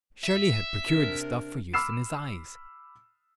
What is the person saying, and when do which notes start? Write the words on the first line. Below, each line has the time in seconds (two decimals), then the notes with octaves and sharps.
Shirley had procured the stuff for use in his eyes.
0.24 E5
0.84 C3 D4 A#4
1.74 B5 D6 E6 F6 C7 E7